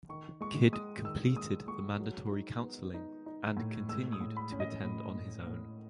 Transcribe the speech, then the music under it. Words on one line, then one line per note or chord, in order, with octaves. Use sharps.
Kidd completed the mandatory counseling and continued to attend on his own.
D#3 C#6
G#3 C#6
G#3 D#6
D#3 E6
G#3 D#6
G#3 C#6
F#3
D#4
B3
D#4
D#4
A2
G#3 E6
D#6
A2
B5
C#4
D#5
A2
A2
A2